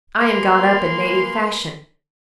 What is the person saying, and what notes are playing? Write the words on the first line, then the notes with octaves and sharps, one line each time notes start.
I am got up in native fashion.
G#3 A#3 B4 C6